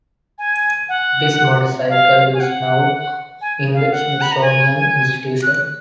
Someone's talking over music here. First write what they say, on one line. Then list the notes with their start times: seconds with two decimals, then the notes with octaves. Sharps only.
This motorcycle is now in the Smithsonian Institution.
0.38 G#5
0.89 F#5
1.89 F5
2.34 G#5
2.40 F#5
3.41 G#5
3.74 F5
3.91 F#5
4.21 B5
4.32 A#5
4.42 G#5
5.43 F#6